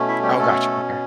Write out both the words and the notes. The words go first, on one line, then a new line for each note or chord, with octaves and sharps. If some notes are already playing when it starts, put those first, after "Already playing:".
Oh, gotcha, okay.
Already playing: B2 A3 C#4
E4 E5
G3 G4
A3 A4